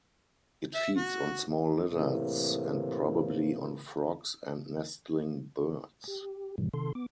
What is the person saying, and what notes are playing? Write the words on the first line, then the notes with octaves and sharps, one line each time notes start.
It feeds on small lizards and probably on frogs and nestling birds.
E5
F#4
A2 C3 E3 A#3
G4
G#2 B2 D#3 E3 G3
C3 D#3 A4 C6
B3 D6